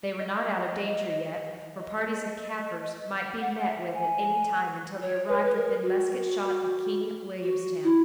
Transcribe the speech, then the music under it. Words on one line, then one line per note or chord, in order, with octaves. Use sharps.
They were not out of danger yet, for parties of Kaffirs might be met with at any time until they arrived within musket shot of King Williamstown.
D#5
D#5
F#5
E5
G#5
C#5
B4
C#5
B4
A#4
F#4
F#4
E4